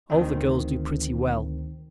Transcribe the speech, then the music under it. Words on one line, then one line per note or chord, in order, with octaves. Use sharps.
All the girls do pretty well.
D2 D#3 C4